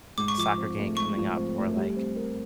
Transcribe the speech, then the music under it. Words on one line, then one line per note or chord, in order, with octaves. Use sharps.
soccer game coming up?" Or, like,
G#2 D6
C#6
F3 D6
C4
A3
G#2 C#6
F3
C4
A3
G3
C4
A#4